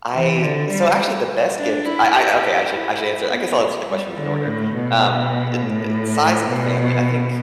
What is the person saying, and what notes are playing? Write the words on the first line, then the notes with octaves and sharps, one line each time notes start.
I so actually the best gift, I I okay, I should I should answer I guess I'll answer the questions in order. Um, eh eh, size of the family, I think,
E3
D3
G3
D4
E4
G4
E4
B3
G3
D3
A2
B2
A2
B2